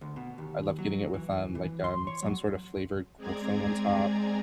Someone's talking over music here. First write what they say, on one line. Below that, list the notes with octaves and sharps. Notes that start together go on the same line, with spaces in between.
I love getting it with, um, like, um, some sort of flavored cold foam on top,
D2
B2
D#2
F#3
E3
E3
C6
C#5
F#3
G#3 C4 G#4 D5 A#5 G#6